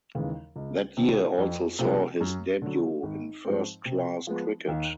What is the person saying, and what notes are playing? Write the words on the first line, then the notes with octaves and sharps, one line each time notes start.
That year also saw his debut in first-class cricket.
D#2 C#3 E3 G#3
C#2
C3 D#3
F2
C3 F3 G#3 B3
F#2
D3 F#3
G#1
G#2 F3 G#3 C4
C3
F3 G#3 B3
D#2